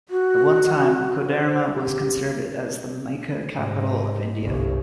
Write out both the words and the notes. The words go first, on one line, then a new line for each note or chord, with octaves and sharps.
At one time, Koderma was considered as the mica capital of India.
F#4
C5
G4
G#2 C3
G1 C2